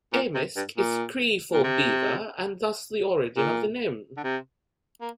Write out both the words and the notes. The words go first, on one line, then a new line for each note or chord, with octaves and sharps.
Amisk is Cree for Beaver and thus the origin of the name.
A#2
C3
G2
A#2
A#2
C3
A#2
D3
C3
A#3